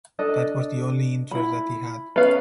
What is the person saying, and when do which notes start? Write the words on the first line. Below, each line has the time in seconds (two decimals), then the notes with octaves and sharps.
That was the only interest that he had.
0.19 D4 A4 D#5
1.31 E4 B5
2.16 B3 C#4 F5